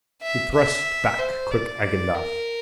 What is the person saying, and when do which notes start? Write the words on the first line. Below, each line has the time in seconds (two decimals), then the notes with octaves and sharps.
He thrust back quick Agendath.
0.22 E5
0.54 E5
1.19 C5
1.51 D5
2.15 A#4